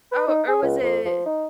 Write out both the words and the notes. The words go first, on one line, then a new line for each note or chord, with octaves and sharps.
oh, or was it
B4
D#4
G#4
C#2
F2
F3
D#4